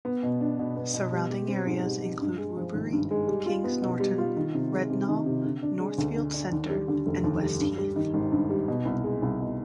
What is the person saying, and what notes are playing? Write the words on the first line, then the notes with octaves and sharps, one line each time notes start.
Surrounding areas include Rubery, Kings Norton, Rednal, Northfield centre and West Heath.
B3
B2
D4
B2
B3
B2
G3
G4
C4
G#2
G3
G4
G2
G#3
F3
G#1
G2
G#3
G3
F4
B3
B2
G3
F4
D#3
C3
G#3
C3
D#3
C3
D3
D4
G#3
D2
D3
D4
D#2
G3
D3
F1
D#2
G3
G2
G3
D#3
G#1
G2
G3
B2
C2
G#3
C2
B2